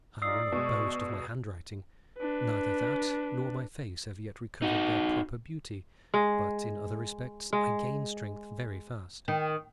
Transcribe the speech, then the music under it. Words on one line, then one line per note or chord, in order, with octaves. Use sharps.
I will not boast of my handwriting; neither that nor my face have yet recovered their proper beauty, but in other respects I gain strength very fast.
C#4 D#4 F4 D5 D#6 E6 C7
B2 G#3 C#6
D4 B4
D#4 F#4
G#3
G#3
D#3